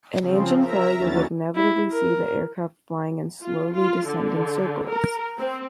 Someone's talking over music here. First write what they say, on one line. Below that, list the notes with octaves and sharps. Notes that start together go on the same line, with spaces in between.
An engine failure would inevitably see the aircraft flying in slowly descending circles.
C#3 F3 C4
A#4 E5 A#5
D#2 D3 E3 F#3 C#4 A6
E4
A#4
F4
F4
D3
A#4
C4